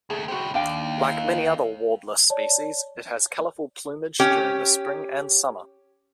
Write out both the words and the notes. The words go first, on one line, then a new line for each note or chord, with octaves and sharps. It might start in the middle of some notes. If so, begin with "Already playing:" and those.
Like many other warbler species, it has colorful plumage during the spring and summer.
D#2 A3 G#4
E4 F#4 G4 C5
D#2 D4 F5 G5
E4 F5
C#5 D5 A5
C#4 G4